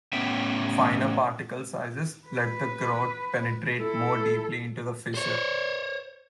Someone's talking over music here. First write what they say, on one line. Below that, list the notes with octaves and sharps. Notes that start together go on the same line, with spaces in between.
Finer particle sizes let the grout penetrate more deeply into a fissure.
A2 B3 C#4 E5 G5
B4
E4 A4
C5 C#5